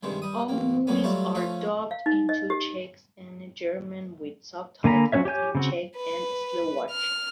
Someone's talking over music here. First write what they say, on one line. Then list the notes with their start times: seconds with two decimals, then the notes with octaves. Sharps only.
All movies are dubbed into Czech and German, with subtitles in Czech and Slovak.
0.03 G2 C3 D#3 G#3
0.22 G3 D#6
0.49 A1 A#3
0.87 D2 F#3 A#3 B3 C#4
1.03 F#3 G3 A3 F4 F#4
1.35 F3 A3 C#4 F4
1.91 F5
2.06 D#4
2.29 D#5
2.50 G4
4.84 D3 A#3 G#5 A#5 B5
5.12 F#3 C#4 B4 C#5 E5
5.25 G4 C#5 G#5 G6
5.55 C#3 C4 F#4
5.96 B4
6.92 F6